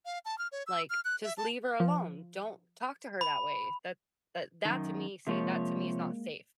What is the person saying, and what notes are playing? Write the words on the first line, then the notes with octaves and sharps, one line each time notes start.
like, just leave her alone. Don't talk to her that way." That that that to me, see, that to me is not safe.
F5
A5
F6
C#5
E6
F6
F#6
E5
A5
F3
B5
F#2 D#3
C3 F3 G#3 A#3 C#5